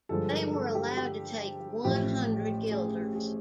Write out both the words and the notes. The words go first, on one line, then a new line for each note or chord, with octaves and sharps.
They were allowed to take one hundred Guilders.
G2 D3 F3 G#3 A4
A#4
A4
G4
G4
A1 A2 F3 A3 G4
G#4
G#4